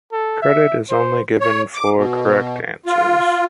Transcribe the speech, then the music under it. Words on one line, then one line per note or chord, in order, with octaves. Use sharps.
Credit is only given for correct answers.
A4
E5
C5
C#5
D6
B2
F4